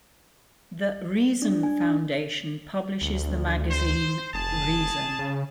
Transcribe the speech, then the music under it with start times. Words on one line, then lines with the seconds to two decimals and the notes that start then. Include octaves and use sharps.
The Reason Foundation publishes the magazine "Reason".
1.42 D4
1.63 G#5
1.81 D4
3.01 D2
3.70 C5
4.34 F1 G#4 A5
5.19 C#3